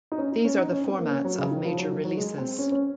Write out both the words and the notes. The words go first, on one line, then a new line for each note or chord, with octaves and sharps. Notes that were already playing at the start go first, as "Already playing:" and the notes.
These are the formats of major releases.
D#4
C#4
D#4
C#4
D#4
C#4
C4
A#3
C#4
F#3
C#3
D#3
F3
F#3
D#3
F#3
G#3
C4
C#4
C#4